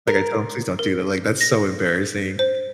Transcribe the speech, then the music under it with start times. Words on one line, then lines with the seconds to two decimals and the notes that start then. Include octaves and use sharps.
Like, I tell him, "Please don't do that. Like, that's so embarrassing."
0.07 A#4
0.79 A#4
1.41 A#6
2.39 C5